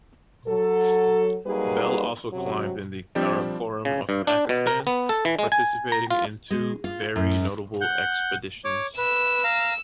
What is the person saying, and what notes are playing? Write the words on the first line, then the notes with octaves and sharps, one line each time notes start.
Bell also climbed in the Karakoram of Pakistan, participating in two very notable expeditions.
F#3 A4
F#3 G3 A#3 D#4 G#4 B4
F#2 C3 F#3
F3 G3 C4 D4
C#3
G2
D4
B2
A#4
B3
A4
E3
G#3
G#5
A#5
F4
G#3
F4
F#2
F#5 G6
C#5 D6
B4 E6
F5 A#5